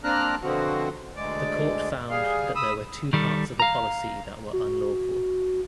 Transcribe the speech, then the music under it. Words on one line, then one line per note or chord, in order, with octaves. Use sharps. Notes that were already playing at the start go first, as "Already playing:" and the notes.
The court found that there were two parts of the policy that were unlawful.
A#3 C4 D4 A#5 F6 F#6
B2 D3 F3 C4 F#4
D2 G#3 D5
G3 G#4 F5
B5 D#6 E6
D#3 G3 A4
F5 A#5
F#4